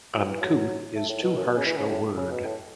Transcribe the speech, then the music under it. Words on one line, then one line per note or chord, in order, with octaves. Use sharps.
Uncouth is too harsh a word.
F#3
E3
F#3
A3
A2
B2
F#2
B2
C#3
E3
C#3
A2
C#3
B2
A2